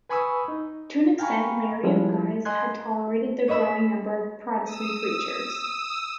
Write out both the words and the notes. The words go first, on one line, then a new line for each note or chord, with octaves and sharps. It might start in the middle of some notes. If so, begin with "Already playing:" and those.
To an extent, Mary of Guise had tolerated the growing number of Protestant preachers.
B4 G#5 B5 C#6 D#6 E6
D#4
F5 G5 G#5 A#5 B5 C#6
F3 G3 G#3 E4
D#5 G#5 C6 F#6 G#6
C#5 D#5 E5 B5 E6
D#6 E6